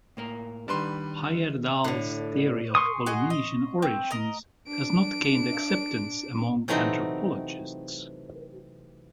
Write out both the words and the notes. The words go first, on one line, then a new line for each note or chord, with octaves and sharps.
Heyerdahl's theory of Polynesian origins has not gained acceptance among anthropologists.
A2 A#3 A#4
D#3 G3 D4 B4 C6
A2 D3
C6 C#6 D#6
F#4 G#4 D#5
D#5
C4
A#4 D#5
D4 D7
C3 E3 F#3 A3 C4 D#4